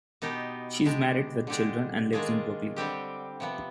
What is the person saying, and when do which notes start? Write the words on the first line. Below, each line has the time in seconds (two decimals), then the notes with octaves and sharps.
She is married with children and lives in Brooklyn.
0.22 B2 B3 D#4 G4
0.85 G#3 D4 G4
1.47 D3 G#3 D4 G4
2.13 D#3 G#3 D4 F4 G#4
2.76 D3 G3 C4 G4
3.40 C3 F3 B3